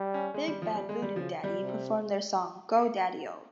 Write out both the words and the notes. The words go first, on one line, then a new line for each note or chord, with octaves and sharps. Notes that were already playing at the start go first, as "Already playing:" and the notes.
Big Bad Voodoo Daddy performed their song "Go Daddy-O".
Already playing: G3
C#4
G#3
G3
F3
G3
G#3
G3
C#3 F3
G3
C3